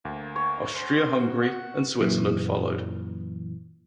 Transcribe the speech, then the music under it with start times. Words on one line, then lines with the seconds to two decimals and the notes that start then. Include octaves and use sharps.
Austria-Hungary and Switzerland followed.
0.05 D2 A#3
0.36 C#5
0.75 C5
1.20 F#4
1.43 F#5
2.00 F#2 A#2 E3